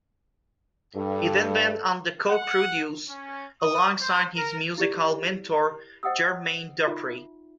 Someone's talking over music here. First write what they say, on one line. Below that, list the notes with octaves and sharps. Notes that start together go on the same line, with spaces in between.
He then went on to co-produce alongside his musical mentor Jermaine Dupri.
G2 A4
F#5
C#4
D#6
C5
A#4
E4 G4 D5
C5 D#5 F#5 G5 D#6 E6
D#4 F4 E5